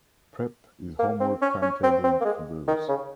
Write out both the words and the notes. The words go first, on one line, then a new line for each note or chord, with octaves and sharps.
Prep is homework timetabled for girls.
A#3
C4
C#4
C#4
C4
C4
A#3
G#3
D#3
C#3